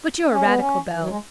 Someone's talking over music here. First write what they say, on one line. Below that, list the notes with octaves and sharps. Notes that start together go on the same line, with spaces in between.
But you're a radical, Bell.
C#4
B3
C#4
E3
F#3
G#3